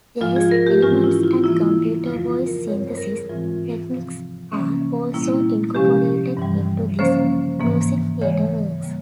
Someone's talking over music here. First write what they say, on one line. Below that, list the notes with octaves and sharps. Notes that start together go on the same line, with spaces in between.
Jazz elements and computer voice synthesis techniques are also incorporated into his music-theater works.
G#2 F3 G#3 F4
G#4
A#4
G4
G#2 E3 G#3 C#4 F4
E4
F4
C#3 E3 G3 A#3 E4
F2 C#3 F3 G#3 F4
A#4
G2 G3 C4 C#5
C5
A#4
G#4
G#2 E3 G#3 C4 F4
C3 F3 C4
C3 E3 A#3 C#4
A#2 G3 A#3 C#4 E4
C3 F3 G#3 C#4 G4
G2 E3 G3
C#3 F3 A#3 C#4 C5
G#2 E3 A#3
C#3 E3 G#3 C#5
C#3 G3 A#3